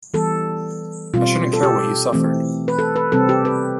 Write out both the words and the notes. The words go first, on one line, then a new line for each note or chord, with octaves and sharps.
I shouldn’t care what you suffered.
E3 G3 B3 A4
B2 G3 C4 F4
A4
G4
E3 A3 C4
B4
A4
B4
C3 G3 C4 A4
G4
B4